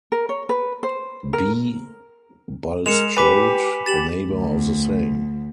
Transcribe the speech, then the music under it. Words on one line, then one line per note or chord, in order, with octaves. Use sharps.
B. Bulstrode, a neighbour of the same.
A#4
C#5
B4
C5
A#4
G#3 A#4 C#7 E7 F7
G4 B4 G#5 D6 B6
G4 A6 E7 F#7
D2